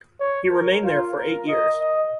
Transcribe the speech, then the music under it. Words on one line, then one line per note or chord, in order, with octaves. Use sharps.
He remained there for eight years.
C#5
A#4
F4
A#4
D#5
D#5